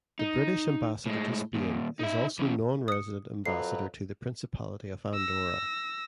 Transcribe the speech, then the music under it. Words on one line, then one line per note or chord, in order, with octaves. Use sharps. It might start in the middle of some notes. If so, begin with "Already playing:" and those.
The British ambassador to Spain is also non-resident ambassador to the Principality of Andorra.
D#4
A2 G#3
D#2 A#2
D#4 E5
E3 C#4
D#6 C#7
F2 F#3 B4 C7
E6 A#6